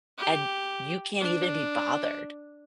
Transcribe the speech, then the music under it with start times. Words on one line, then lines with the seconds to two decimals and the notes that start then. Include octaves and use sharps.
and you can't even be bothered.
0.18 G4
1.20 D4